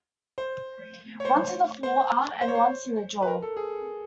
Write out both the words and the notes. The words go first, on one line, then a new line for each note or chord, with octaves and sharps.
Once in the forearm and once in the jaw.
C5
C#5
C5
C5
C5
C#5
C5
B4
A#4
A4
G#4